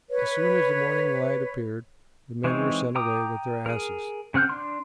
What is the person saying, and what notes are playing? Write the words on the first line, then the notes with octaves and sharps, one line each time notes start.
As soon as the morning light appeared, the men were sent away with their asses.
B4 C#5
E3 G#3 C4 D#4 C#5
G5 A#5 D6 D#6
G#4 A#4
C#3 C4 F#5 F6 G6
D4 C6